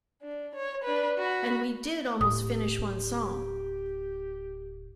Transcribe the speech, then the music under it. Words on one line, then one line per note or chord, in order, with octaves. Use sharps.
And we did almost finish one song.
D4
C#5
D4 B4
F#4 B5
D1 A2 G4 D#6